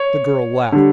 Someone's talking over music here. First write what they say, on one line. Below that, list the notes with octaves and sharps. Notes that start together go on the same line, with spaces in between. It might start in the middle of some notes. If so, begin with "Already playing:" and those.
The girl laughed.
Already playing: C#5
D3 G3